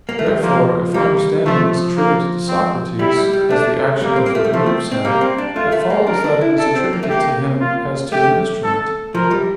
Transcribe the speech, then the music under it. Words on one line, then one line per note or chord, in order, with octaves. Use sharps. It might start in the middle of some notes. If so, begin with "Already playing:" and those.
Therefore if understanding is attributed to Socrates, as the action of what moves him, it follows that it is attributed to him as to an instrument.
A#3
A3
G3
F3 A#3
G3 A#3
F3 A3
A#3
C4
G3 E4
G3
G3
A3 D4
G3 A#3
C4
A#3
A3
G3
F3 A3
C4
C4
G3 A#3
C4
D4
A3 F4
A3
A#3
D4 A#4
D4
E4
D4 A4
C4
A#3
A3
A#3 G4
F4
A3 G4
A4
F3 A#4
G3